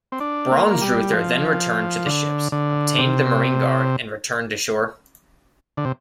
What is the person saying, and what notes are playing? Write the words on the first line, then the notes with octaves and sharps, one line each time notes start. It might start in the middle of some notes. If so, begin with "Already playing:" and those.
Braunsreuther then returned to the ships, obtained the marine guard, and returned to shore.
C4
D4
A#3
G3
F3
D3
D3
C3
D3
C3